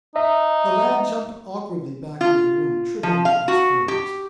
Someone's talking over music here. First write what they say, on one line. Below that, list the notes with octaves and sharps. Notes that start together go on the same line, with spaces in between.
The lad jumped awkwardly back into the room, tripping over his spurs.
D#4 D#5 E5
F4
F3
F5
F#4
G4